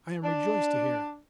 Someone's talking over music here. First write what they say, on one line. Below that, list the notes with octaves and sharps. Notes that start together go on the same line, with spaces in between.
I am rejoiced to hear it.
D4